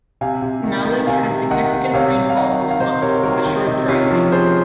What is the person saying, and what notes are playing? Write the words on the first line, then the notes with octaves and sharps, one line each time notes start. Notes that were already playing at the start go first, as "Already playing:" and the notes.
Mallig has significant rainfall most months, with a short dry season.
C3 F5 G#5
C3
D#3
D#3
C3 F5 G#5
C3
D#3 D#5 F#5
D#3
C3 C#5 F5
C3
F5
D#3 D#5 F#5
D#3
F5
C3 C5 D#5
C3 A#4 C#5
D#3 F#4 A#4
D#3
C3 D#4
C3 C#4 F4
F3
F3 G#4 C5